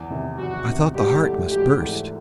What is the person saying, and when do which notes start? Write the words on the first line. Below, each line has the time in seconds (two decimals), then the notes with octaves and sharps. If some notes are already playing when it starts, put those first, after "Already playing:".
I thought the heart must burst.
Already playing: E2
0.10 C3 D#3
0.39 E2 F#4
0.67 C3 D#3
0.94 G#1 G4
1.22 G#2 E3 A3
1.50 G#1 G4
1.78 G#2 E3 A3